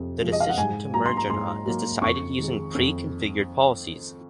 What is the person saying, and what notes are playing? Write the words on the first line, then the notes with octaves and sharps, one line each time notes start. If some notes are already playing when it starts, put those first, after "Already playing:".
The decision to merge or not is decided using pre-configured policies.
Already playing: F2 C3
C3 F3 G#3
D#5
F5
F#5
G#2 G#5
F#3 A#3 A#5
C6
A#5
G#2 C6
F#3 A#3
F2 C#6
D#3 G#3
F2